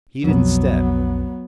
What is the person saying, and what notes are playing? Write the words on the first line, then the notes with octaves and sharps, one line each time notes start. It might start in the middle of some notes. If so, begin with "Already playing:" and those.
He didn't step.
B1 F2 F#3 B3